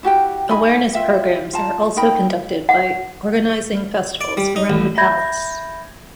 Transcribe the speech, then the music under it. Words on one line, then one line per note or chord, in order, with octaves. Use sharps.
Awareness programs are also conducted by organizing festivals around the palace.
E4 F#4 G4 G5
D#4 G#5 B5
F4 E5 G5
F4 A5 A#5
D#4 A#4 G5 B5
F#5
D5
G3
D#4
A1
E5 B5 G6 G#6 A#6